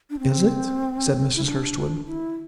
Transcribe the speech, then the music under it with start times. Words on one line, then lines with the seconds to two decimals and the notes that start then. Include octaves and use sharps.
"Is it?" said Mrs. Hurstwood.
0.10 D4
0.19 C4
1.36 E4
1.44 D4
2.06 E4